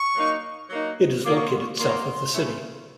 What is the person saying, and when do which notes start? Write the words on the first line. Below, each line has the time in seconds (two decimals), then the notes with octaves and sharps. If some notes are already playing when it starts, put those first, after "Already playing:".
It is located south of the city.
Already playing: C#6
0.16 F#3 A#3 D#4
0.70 F#3 A#3 D#4
1.25 D#3 F#3 A#3 D6
1.36 C#6
1.48 C6
1.59 C#6
1.79 D#3 F#3 A#3 C6
2.33 C#3 F3 A3 C4 E4